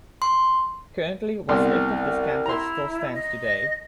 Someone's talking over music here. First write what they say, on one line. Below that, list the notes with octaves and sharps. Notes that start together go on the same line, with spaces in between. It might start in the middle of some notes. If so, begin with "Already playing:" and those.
Currently, what's left of this campus still stands today.
C6
C2 B3 C6
E4 A#5 C6
D#5